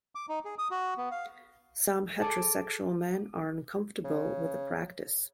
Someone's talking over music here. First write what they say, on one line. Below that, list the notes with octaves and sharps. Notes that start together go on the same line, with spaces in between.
Some heterosexual men are uncomfortable with the practice.
D6
D#4
G#4
D#6
F#4
B3
F5
G#4 A4 A5 D6
C#3